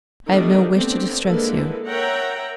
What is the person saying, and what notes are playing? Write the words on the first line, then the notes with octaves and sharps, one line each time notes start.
I have no wish to distress you.
D#3 G3 A3 B3 D4 D#4
A3 B3 C4 D4
D3 G#3 A#3 E4 A4 B4
A#4 C#5 E5 F#5 G5 A#5